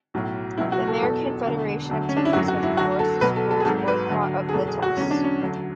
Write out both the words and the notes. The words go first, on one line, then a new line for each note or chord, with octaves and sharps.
The American Federation of Teachers has endorsed the school's boycott of the tests.
B1 A2 F#3
C#2 B2 F#3 E4
F#4
A4
F#1 E2 B2 F#3 A4
E1 D2 D3
D2 D3 F#3
C#4
D4
E4
G#1 F#2 D3 F#3 F#4
F#4
E4
D2 D3 F#3 F#4
A4
B1 B2 F#3 B4
A4
A4
G#4
G#1 G#2 F#3 A4
B4
D2 D3 F#3
G#4
F#1 E2 B2 F#3 A4
G#4
F#4
E2 D3 F#3 C#4
D4
C#4
D2 D3 F#3